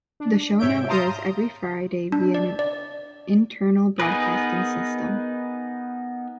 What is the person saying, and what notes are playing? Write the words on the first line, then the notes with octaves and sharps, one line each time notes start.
The show now airs every Friday via an internal broadcasting system.
D4
G#2 C3 C#5 E5 G6 D7
F5 A5 A#5 C6 D#6 G6
D4
D5
D5
B3 D#4 G#4 A#4 B4